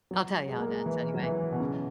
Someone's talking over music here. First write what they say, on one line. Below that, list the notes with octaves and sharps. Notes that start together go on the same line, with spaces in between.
I'll tell you how it ends anyway.
F#3
G#3
A#3
G#3
E3
F#3
E3
B2
C#3